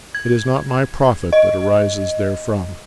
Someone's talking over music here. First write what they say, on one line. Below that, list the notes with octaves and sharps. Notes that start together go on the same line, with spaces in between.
It is not my profit that arises therefrom.'
G#6
D#5